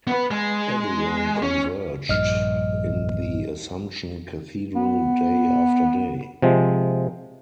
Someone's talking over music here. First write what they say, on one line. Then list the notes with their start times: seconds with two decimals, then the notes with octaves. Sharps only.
Everyone converged in the Assumption Cathedral day after day.
0.07 B3 B4
0.31 G#3
1.42 C#4
2.09 A#1 G2 D#5 F6
4.76 B3
6.42 C3 F3 G#3